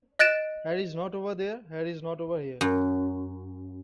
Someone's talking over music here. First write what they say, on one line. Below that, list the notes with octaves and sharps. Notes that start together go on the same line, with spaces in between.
Harry's not over there, Harry's not over here.
D#5 F#6 A6 D7 E7
F#2